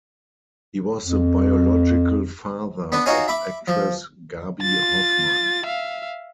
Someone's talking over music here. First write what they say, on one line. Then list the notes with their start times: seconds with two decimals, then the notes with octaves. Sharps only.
He was the biological father of actress Gaby Hoffmann.
1.04 F2
2.92 B3 D4 B4
3.06 D#4 F4 F#4 C#5 F5 G#5
3.28 E5 B5 D6
3.68 F3
4.62 F4 A6
5.65 E5 F5